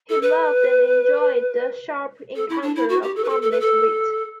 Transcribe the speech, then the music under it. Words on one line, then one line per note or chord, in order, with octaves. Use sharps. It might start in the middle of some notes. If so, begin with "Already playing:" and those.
He loved and enjoyed the sharp encounter of harmless wit.
A4
B4
A4
E4
D4
E4
F#4
G4
A4
B4
A4
A4
B4
A4